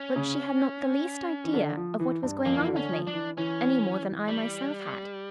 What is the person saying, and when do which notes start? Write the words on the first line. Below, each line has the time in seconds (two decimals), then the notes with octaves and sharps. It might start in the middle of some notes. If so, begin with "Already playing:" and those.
But she had not the least idea of what was going on with me, any more than I myself had.
Already playing: C#4
0.16 C#3
1.44 E3
1.54 D3
1.77 F3
2.00 E3
2.23 G2
2.45 F2 A#3
2.58 E3
2.68 D3
2.76 C#4
2.91 F3
3.07 D4
3.14 E3
3.37 E3 C#4
4.28 G3